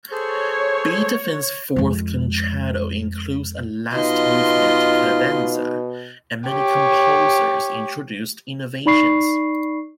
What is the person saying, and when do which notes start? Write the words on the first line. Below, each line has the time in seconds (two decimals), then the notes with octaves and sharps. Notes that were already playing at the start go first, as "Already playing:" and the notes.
Beethoven's fourth concerto includes a last-movement cadenza, and many composers introduced innovations.
0.12 G#4 A4 C5 C#5
1.76 F2 G#3
3.94 B2 D#4 F4 D#5 C6
6.50 G4 C#5
8.86 D#4 D5 B5 C#6 C7